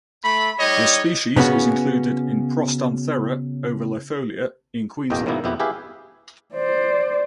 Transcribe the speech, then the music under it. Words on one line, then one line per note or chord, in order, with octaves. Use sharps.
This species is included in "Prostanthera ovalifolia" in Queensland.
A3 B5
G3 D#4 C#5 D#5
C#3 B3 C#4 F#4
A1 E2 B2 A#3 D#5 G5
G#2 B2 D#3 A#3 E4
F2 B2 B3 E4 G4 B4
E4 G4 G#4 B4 E5 F5
C5 D5